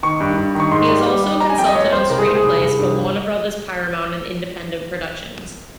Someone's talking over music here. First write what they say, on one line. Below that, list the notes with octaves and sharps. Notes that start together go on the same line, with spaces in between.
He has also consulted on screenplays for Warner Brothers, Paramount, and independent productions.
D#3 C#6
G2
G2
D#3 C#6
G#2 C6
G3
G3
G3
G3 A#5
G#5
F2 G5
D#5
F2 C#5
F2 C5
C2 A#4
G#4
C2 C5
G#4
C2
C2
G2